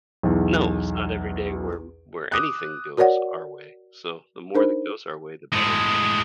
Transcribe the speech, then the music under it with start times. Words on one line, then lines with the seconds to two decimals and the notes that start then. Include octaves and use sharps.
No, it's not every day where where anything goes our way, so the more that goes our way, the better, right?
0.23 B1 E2
2.32 D6 D#6 F#6
2.97 F#4 A#4 C#5 D5 F#5
4.55 D4 D#4 A#4 C5 B5
5.53 A2 G#3